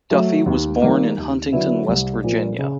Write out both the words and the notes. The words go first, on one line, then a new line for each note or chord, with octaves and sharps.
Duffey was born in Huntington, West Virginia.
F#3 A3
D#2
D#3 G3 A#3
D#2
D3 F#3 B3 E4
C2
A#2 F3 A#3
C#3